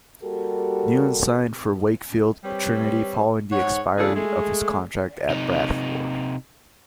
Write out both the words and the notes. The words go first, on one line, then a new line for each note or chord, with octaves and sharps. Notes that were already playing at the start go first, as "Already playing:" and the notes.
Newton signed for Wakefield Trinity following the expiry of his contract at Bradford.
G3 A#3 F#4 G4 A4 A#4
G3 C4 G4 B4 C#5
G#2 C#5 F#5
C#3 E3 A3 D4 F4 G#4
G#3 A3 G#4
C3 D#4